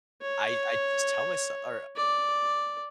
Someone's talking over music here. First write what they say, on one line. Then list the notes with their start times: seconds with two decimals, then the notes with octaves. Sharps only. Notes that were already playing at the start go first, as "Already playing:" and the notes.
I I just tell myse or
0.22 C#5
1.96 D5